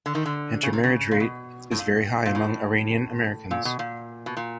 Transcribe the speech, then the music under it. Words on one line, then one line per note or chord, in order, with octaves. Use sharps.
Intermarriage rate is very high among Iranian Americans.
D3
D#3
D3
C#3
C3
C#3
A#2
B2
A2
A#2
A#2
A2
A#2
B2
A#2
B2
A#2